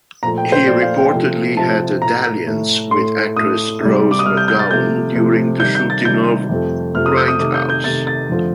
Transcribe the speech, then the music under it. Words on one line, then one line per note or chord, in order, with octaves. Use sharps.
He reportedly had a "dalliance" with actress Rose McGowan during the shooting of "Grindhouse".
A#2 F3 A3 A#5
G5
C5
A#2 F3 A3 D5
F5
G5
C3 F3 A3
C3 F3 A3 A5
A2 A3 A#5
A2 A3
A2 A3 C6
A2 A3 D#6
C3 G3
D6
D#6
C3 G3 F6
G6
G6
A6
C3 F3 A3 G6
C3 F3 A3
C3 D#3 G3 G6
G6
A6
C3 D#3 G3 G6
F2 C3 F3 A3
F2 C3 F3 A3 F6
D#6
G6
D#6
C3 D#3 A3 D6
G6
G6
C3 D#3 A3 A6
A6
F2 D3 F3 A3